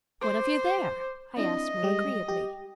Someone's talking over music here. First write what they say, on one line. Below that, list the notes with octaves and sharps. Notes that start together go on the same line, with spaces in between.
"What have you there?" I asked more agreeably.
C5 D6
C4 D4 E4 D#5
G3 G#3 G4
G4